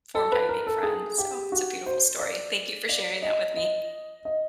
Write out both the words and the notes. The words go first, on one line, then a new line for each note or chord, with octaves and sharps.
formed how you make friends, so it's a beautiful story. Thank you for sharing that with me.
A4
B4
A#4
A4
G#4
G4
F#4
C5
D5
D5
D#5
D#5
D#5